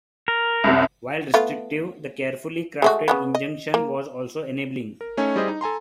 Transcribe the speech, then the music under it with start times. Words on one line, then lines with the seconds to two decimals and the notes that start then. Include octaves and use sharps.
While restrictive, the carefully crafted injunction was also enabling.
0.28 A#4
0.64 C2 F#2 C3
1.34 A3 B3 F4
2.82 G#3 A3 F#4
3.08 C#3 F3 B3
3.35 D#5
3.74 A#3
5.01 A#4
5.17 A3 C#4 D#4 C#5 G#5
5.36 G3 E4 G#4 C5 D#5
5.48 D#4
5.61 A4 G#5 A#5 C6